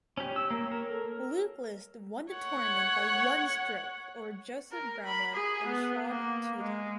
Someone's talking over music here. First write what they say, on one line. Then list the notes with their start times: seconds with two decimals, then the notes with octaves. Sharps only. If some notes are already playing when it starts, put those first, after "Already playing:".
Luke List won the tournament by one stroke over Joseph Bramlett and Shad Tuten.
0.17 C#4 G4 C#5
0.36 E6
0.50 A#3
0.71 A#4
0.90 A4
2.33 C#5 F#5
4.72 A#4
5.06 B5
5.35 G#4
5.67 B3
6.08 A#3
6.61 G#3